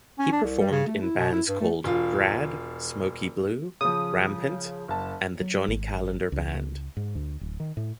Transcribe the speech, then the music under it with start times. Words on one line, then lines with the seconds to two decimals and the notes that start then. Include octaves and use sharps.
He performed in bands called Grad, Smokey Blue, Rampant, and the Johnny Kalendar Band.
0.19 C#4
0.32 D4
0.44 C2
0.60 G3
0.71 C#3
0.87 A3
1.02 E4
1.18 B2
1.32 E4
1.48 G2
1.61 A3
1.84 E1 F4
3.81 C#3 F3 D#6
4.88 F#1 A5
5.41 F#3
5.68 G#1
6.32 C#2
6.97 G#2
7.15 D2
7.41 D1
7.60 D#3
7.77 A2